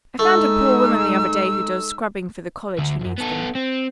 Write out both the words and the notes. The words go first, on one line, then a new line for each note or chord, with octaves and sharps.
I found a poor woman the other day who does scrubbing for the college who needs them.
G#3 A3 D#4 E6
D2 D3
C#2 F#2
B3 A4
C4